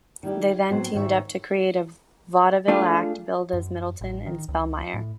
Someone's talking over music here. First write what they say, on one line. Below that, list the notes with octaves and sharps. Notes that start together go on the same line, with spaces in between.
They then teamed up to create a vaudeville act billed as Middleton and Spellmeyer.
D#3 G3 E4 G4
A2 F#3 B3 C4 C5
G#2 D#3 C#5 E5
A3 D4 F4 G#4
F#2
A1
D#3
C#2
A2